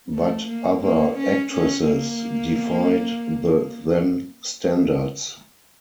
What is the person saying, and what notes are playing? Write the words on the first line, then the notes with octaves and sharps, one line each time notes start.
But other actresses defied the then standards.
A3
A#3
A#3
C#4
C#4
A#3